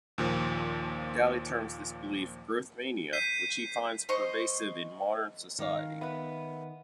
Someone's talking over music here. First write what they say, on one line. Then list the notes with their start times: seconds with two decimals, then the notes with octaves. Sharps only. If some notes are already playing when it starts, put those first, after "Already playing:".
Daly terms this belief 'growthmania', which he finds pervasive in modern society.
0.18 D#2 A#2 F3
3.13 G6 B6 C7 D#7
4.09 C5 D#5 C#6
5.59 D#3 D#5 F5
6.01 B3 B4 E5 B5